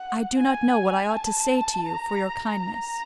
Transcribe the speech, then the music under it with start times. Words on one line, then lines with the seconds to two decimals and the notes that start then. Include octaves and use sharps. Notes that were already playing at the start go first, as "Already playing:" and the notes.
"I do not know what I ought to say to you for your kindness."
Already playing: F#5
0.37 G#5
1.11 A5
1.86 A#5
2.60 A#5